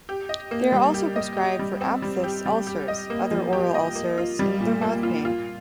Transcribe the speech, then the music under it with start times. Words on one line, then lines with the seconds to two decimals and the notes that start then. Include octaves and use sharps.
They are also prescribed for aphthous ulcers, other oral ulcers, and other mouth pain.
0.09 G4
0.29 D#5
0.51 A#3
0.72 G3
0.94 G4
1.16 D#5
1.37 G4
1.59 G3
1.81 C4
2.02 G3
2.24 G4
2.46 G3
2.67 G4
2.88 D#5
3.10 A#3
3.31 F3
3.53 G4
3.75 D#5
3.95 A#3
4.18 F4
4.39 G3
4.60 A#2
4.81 A#3
5.03 F4
5.25 F4